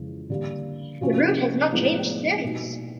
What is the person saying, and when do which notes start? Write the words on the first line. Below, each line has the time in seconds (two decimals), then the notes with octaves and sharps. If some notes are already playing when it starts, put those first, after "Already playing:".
The route has not changed since.
Already playing: F2 C#3 E3 G#3
0.30 D3 G3 A#3
1.01 C3 F3 A#3 C#4 F#4
1.72 A2 F3 G#3 B3 D4
2.43 B2 G3 A#3 D#4